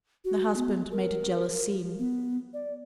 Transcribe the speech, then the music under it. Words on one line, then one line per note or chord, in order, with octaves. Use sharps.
The husband made a jealous scene.
F#4
B3
A#4
B3
D5